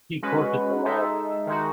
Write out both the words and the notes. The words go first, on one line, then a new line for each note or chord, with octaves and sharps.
He courted them all.
G#3 C#4 F#4 B4
G#3 D#4 A4 E5
D#3 G#3 D#4 F#4